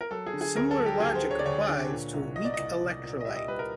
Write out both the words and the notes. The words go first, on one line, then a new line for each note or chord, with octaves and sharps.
Similar logic applies to a weak electrolyte.
A#4
F#3 A4
G#4
D3
G#4
D2 A#4
A4
F#3
G4
D2 G#4
C5
D3
C#5
D5
D2 C#5
D3
A#2
C2
A#2 D#5
D5
C2 D#5
C2
A#2
D#5
G3 E5
D#5
G3 B4
A#4